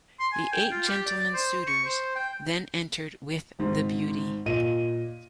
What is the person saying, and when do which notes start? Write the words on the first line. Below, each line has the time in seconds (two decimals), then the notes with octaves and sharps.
The eight gentleman suitors then enter with The Beauty.
0.20 C6
0.32 G#5
0.52 G5
0.71 F4
0.87 G4
1.07 D5
1.34 C5
1.67 C#6
1.84 C5
2.16 G5
3.59 G#1 G#2
4.46 A#2 D#5 D#7